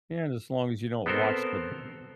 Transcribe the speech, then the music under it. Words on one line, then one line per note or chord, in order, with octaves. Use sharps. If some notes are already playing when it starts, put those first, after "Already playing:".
Yeah, and as long as you don't watch the
B3 C4 A4 A#4 C5